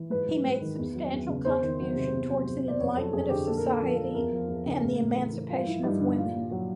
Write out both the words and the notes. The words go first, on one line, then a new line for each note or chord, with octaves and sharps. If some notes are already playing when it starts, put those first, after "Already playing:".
He made substantial contribution towards the enlightenment of society and the emancipation of women.
Already playing: E3
G#2 B4
F#3
G#2
D#3
E2
F#3
E2
C#3
E2 C5
D#3
F#3
C3
E2
F#3
E2
B2 D5
F2 C#5
F#3 A4
F2 G#4
D3 G4
A#2 A4
A#4
A#2 A4
F3
F3
E2 A#4
F3
E2
C#3
A2
A2
E3
E3
G2 F4
F3 E4
G2 D#4
D3 D4
A#2 F4
A#2
F#3